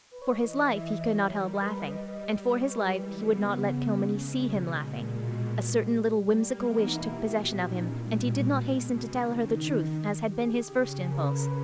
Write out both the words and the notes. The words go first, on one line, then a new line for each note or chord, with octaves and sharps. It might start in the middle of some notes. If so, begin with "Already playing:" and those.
For his life he could not help laughing; and for his life he would not let Kilmeny see him laughing. A certain little whimsical wish took possession of him and he did not hasten to tell her the truth, as had been his first impulse.
B4
C#5
E3 D#5
E3 E5
D#5
G3 C#5
G3 A#4
B4
D#5
D#5
C#5
B4
G4
E3
G#3
G#3
C#3 B3
G#3
B2
A#2 G#3
A#3
G#3
B2
G3
G3 A#3
G3
E3 G#3
B3
D#4
B2 E4
G4
A#2
D#4
C#4
E4
B2 G3
G3
G#3
C#3
D#3 G#3
C#4
D#4
G4
G#4
G4
C#3
G#4
A#4
B4
A#4
B4